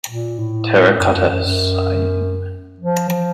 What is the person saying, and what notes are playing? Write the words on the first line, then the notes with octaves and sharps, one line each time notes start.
Terracotta sighing.
A#2
A2
F#2
F#2
F#2
F#2
F3
F3